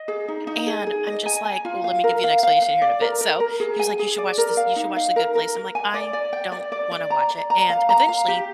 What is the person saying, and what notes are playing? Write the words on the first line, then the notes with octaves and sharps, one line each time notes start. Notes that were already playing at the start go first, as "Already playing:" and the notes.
And I'm just like ooh, let me give you an explanation here in a bit. So, he was like, "You should watch this you should watch The Good Place." I'm like, "I don't wanna watch it." And eventually,
Already playing: D#5
G#4
D#4
D#4
G#4
G#4
D#5
G#5
G#5
F4
F5
A#4
F5
F5
F5
D5
A#4
A#4
A#4
G#4
G#5
G#4
D5
A#4
F5
D#4
F5
A#4
A#4
A#4
G#5
D5
D5
G5
D5
D5
D5
A#5
D5
A#5
F5
A#5
F5
G4